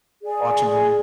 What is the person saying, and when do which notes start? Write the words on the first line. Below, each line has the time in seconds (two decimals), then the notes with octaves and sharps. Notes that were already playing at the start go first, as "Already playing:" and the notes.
Watch a movie.
0.23 G#4 D5 G#5